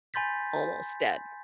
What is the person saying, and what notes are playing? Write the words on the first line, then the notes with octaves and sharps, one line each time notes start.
almost dead
G#5 B5 C6 G6 A6 B6